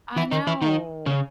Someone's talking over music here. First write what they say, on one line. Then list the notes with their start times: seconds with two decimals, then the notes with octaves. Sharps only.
I know.
0.16 E3 E4
0.31 D#3 D#4
0.47 E3 E4
0.62 D#3 D#4
1.06 C#3 C#4